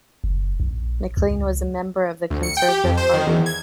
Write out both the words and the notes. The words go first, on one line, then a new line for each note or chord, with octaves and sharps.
McLean was a member of the Conservative Party.
F#1
A#1
C#2
D2
C#7
G5
G4
F2
C5
D#3
E2
G#6